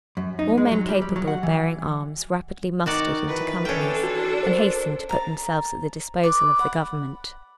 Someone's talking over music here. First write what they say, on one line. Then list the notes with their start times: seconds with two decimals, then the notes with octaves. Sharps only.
All men capable of bearing arms rapidly mustered into companies and hastened to put themselves at the disposal of the government.
0.17 F#2
0.39 D#4
0.58 G#3
0.72 F#3
0.89 G3
1.02 G3
1.16 F#3
1.28 F#5
1.43 E3
2.86 D#3 D#4 F#4 D5
3.28 E3 B4
3.65 C#4 D4 A4 G5
4.03 F#4
4.43 A#4 C5
5.09 A5 A#5
6.23 B4 D5
6.59 F#5 B5